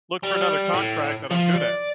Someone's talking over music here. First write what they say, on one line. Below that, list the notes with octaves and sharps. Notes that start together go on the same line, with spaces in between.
look for another contract that I'm good at.
G3
A2
F3
D5